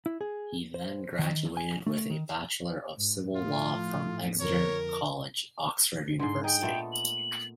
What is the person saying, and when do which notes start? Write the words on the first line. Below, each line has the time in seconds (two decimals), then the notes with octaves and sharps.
He then graduated with a Bachelor of Civil Law from Exeter College, Oxford University.
0.06 E4
0.21 G#4
0.74 C5
1.19 D#3
1.57 G#5
1.87 A3
2.10 D#3
2.93 G#2
3.36 A2 F3 A3 F4
4.40 F2 D3 A#4 C#5
6.19 G#2 D3 C6
6.44 D#4 G#4 G5
6.63 A#2 A3 B3
6.92 F#7